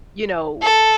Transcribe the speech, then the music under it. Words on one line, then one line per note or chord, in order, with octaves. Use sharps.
you know,
A4